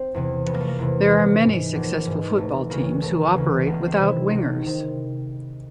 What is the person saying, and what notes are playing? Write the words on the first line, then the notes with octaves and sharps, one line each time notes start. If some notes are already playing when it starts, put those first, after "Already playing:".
There are many successful football teams who operate without wingers.
Already playing: C4
E2 C3 E3
F1 B3
A#3
A3
A#3
E2 C3 E3
A#1
G#2 E3
A#1
G#2 E3
E1 A3
D2 C#3 E3 A#3
E1 A3
D2 C#3 E3
C#2 B3
C4
C3 D#3
E4
C#2 D#4
C3
D#3